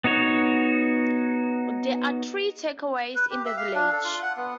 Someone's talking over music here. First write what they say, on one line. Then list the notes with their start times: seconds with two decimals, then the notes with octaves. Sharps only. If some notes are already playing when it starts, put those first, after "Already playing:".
There are three takeaways in the village.
0.04 B3 D#4 F#4 C#5
3.15 B4
3.31 G4
3.45 E5
3.57 F5
3.75 D4
3.92 A4
4.04 F4
4.22 F#5
4.37 B3